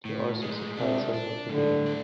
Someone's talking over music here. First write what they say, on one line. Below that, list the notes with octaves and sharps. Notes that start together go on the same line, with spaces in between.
He also supplied silver to the mint.
A2
G#3
C3 D4
D4
A2 D3
D4